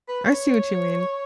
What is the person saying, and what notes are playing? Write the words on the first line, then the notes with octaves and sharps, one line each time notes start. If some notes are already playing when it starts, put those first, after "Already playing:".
I see what you mean.
B4
C#5